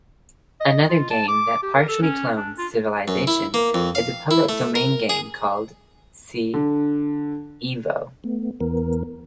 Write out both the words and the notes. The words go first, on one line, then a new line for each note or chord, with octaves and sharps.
Another game that partially clones Civilization is a public domain game called "C-evo".
D#5
F4
A5
D6
G4
A#4
A4
C#4
D4
F4
F#2
E4
A#3
F2
F5
E4
A3
A#4
G#4
D3
A3 B3
E2 E3 B3 A#4